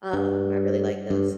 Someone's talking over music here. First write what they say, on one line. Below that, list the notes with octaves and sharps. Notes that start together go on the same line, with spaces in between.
um, I really like those.
G2
G2